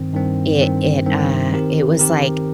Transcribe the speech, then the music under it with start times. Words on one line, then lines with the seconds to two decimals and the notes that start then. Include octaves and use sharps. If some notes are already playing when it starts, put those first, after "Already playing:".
it it, uh, it was like
Already playing: G2 D#3 C4
0.13 G2 D#3 C4
0.59 G2 D#3 C4
1.06 G2 D#3 C4
1.53 D#3 C4 G4 A#4
1.99 D#3 C4 G4 A#4